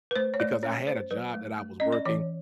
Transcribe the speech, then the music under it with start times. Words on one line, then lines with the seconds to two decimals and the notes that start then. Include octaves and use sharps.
because I had a job that I was working,
0.11 B4
0.16 A3 C5
0.34 C#5
0.40 A3 D5
0.63 C#4 C#5
0.87 A3 C5
1.11 F#3 B4
1.34 A3
1.58 A3
1.80 C#4 D#5
1.93 D5
2.05 E3 C#5